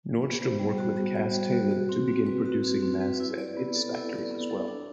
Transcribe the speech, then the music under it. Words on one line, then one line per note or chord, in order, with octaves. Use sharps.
Nordstrom worked with Kaas Tailored to begin producing masks at its factories as well.
B3
C5
G3
F#4
B3
C5
G3
F#4
F#4
C4
C4
B4
F#4
C4
C4
B4
E4
D5
B3
A4
E4
D5
B3
A4
D4